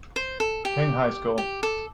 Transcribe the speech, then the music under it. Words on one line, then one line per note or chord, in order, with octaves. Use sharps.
King High School.
C5
A4
G4
G4
A4